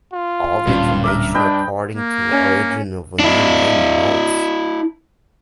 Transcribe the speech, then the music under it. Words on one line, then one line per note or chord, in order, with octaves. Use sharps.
All information according to original vinyl liner notes.
F4
D1 G2 A#2 C#4
A#4 E5 D6
D4 B4 D#5 G5
A#3
C#4
D4 E4